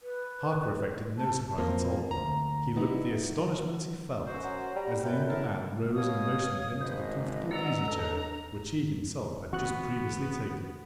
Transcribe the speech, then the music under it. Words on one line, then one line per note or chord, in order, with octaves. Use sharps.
Harker affected no surprise at all--he looked the astonishment he felt as the younger man rose and motioned him to the comfortable easy-chair which he himself had just previously taken.
B4
A5
F2 F3 A#3 C4
D2 A#5
G3 B3 D#4 E4
F#3
F#2 F#4 C5
F#3
G3 A#5
F#2 B4 G6
E4 A#4 A5
B2 C#5 F5 D#6
G#1 B4 C5 D#5
D5 F#5 A#5 E6
D4 A4
D2 E3 B3 C4 F#4 C#6 F#6